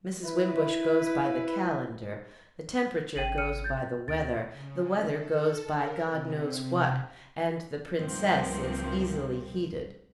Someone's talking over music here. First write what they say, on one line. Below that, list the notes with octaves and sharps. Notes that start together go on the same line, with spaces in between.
Mrs. Wimbush goes by the calendar, the temperature goes by the weather, the weather goes by God knows what, and the Princess is easily heated.
E4 B4
G#1 G5 D#7 F#7
F6 C#7 D#7
G6 A6
D2 A6 D7
C#3
A4
A#4
C3
C#2 G2 C3 F3 A#3 C4